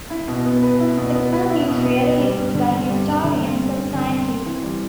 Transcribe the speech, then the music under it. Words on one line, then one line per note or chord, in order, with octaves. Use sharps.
The term is rarely used by historians or scientists.
E4
B2
B3
B4
E4
B2
B3
B4
E4
B2
B3
B4
G3
G2
D3
C4
G3
G2
D3
C4
G3
G2
D3
C4
C4
E3
G3